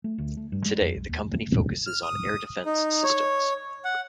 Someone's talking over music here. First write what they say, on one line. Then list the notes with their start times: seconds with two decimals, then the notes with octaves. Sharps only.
Today the company focuses on air defense systems.
0.04 A3
0.18 D2
0.37 A3
0.52 G2
0.66 G#3
0.81 F2
0.95 B1
1.09 D#2
1.32 A3
1.52 A1
1.86 F6
2.03 D#6
2.65 D#4
3.03 C#5
3.84 F#5